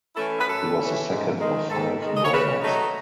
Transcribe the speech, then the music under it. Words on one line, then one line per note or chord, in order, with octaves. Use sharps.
He was the second of five brothers.
E3 A3 C#4 E4 A4
B4
F#2 A4
E3 A3 C#4 E4
G#2
D#3 G#3
G#2 A4
D#3 G#3
D#5
C#5
C#3 B4
F#3 A3 D#4